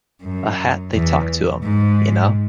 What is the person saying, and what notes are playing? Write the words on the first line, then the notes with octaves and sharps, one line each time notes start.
A hat they talk to 'em, you know.
F#2
E2
G#2